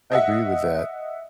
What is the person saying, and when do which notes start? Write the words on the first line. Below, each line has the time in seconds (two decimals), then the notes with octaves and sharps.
I agree with that.
0.12 D#5 E5 F#5